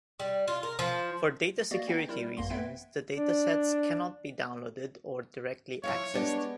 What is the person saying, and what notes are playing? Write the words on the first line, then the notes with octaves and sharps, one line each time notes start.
For data security reasons the datasets cannot be downloaded or directly accessed.
G3
F4
A#4
F3
A#3 F#4 D5 D#5
B3 C4 D#4 G6
G3 E4 A#4
A1 F#2 A#3 C6
B3 C4 B4 E5 G#6 D7
D4
F3 E4 C#5 F5
G#3 B3 D4 G4